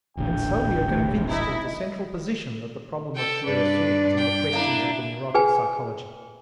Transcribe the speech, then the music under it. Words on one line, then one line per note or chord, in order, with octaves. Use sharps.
And so we are convinced of the central position that the problem of fear assumes in the questions of the neurotic psychology.
D#1 A1 D3 G5
A2 C3
D#4 E4
A4 G5
G2 D4 B4 D5
G5
A#3 D4 E4
G#4 B4 G5 G#5